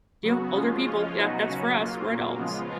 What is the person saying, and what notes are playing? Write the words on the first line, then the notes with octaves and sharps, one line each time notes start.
you, older people. Yeah, that's for us, we're adults."
C#3 F#3 B3 F#4
F3 G#3 C#4 F4
F3 G#3 C#4 F4
B2 F#3 B3 D#4 F#4
C#3 F#3 C#4 F#4
F#3 A#3 F4
A#2 F#3 A#3
C#3 F3 G#3 B3 F4